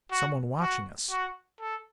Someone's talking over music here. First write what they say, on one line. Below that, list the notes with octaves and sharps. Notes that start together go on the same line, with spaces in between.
Someone watching us.
F#4
F#4
F#4
A4